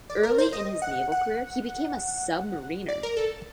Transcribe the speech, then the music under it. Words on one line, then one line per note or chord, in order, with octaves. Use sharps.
Early in his naval career he became a submariner.
D5
A#4
C5
D#5
F#5
F#5
D5
A#4
A4